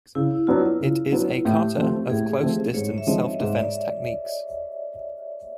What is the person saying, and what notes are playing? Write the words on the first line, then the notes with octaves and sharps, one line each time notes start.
It is a kata of close-distance self-defense techniques.
C#3 E4
F#3 B3 D4 F4
C#3
F#3 B3 D4
A2 G4
F3 A3 C4
A2 G#4
F3 A3 C4
G#2 C#5
E5
F3 G#3 C4 D#4 D#5
G#2 E5
D5